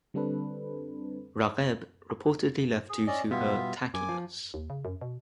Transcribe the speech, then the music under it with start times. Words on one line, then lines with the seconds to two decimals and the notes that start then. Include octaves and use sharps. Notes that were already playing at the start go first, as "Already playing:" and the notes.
Ragheb reportedly left due to her "tackiness".
0.14 D3 G3 C4 D4 A4 B4
2.89 G#4
3.07 C#4 D5 D#5
3.31 B2 G3 B3 F4 E5
3.94 F#2 G#5 D6
4.09 F3
4.54 D#2
4.70 C#3
4.85 F#2
5.01 B2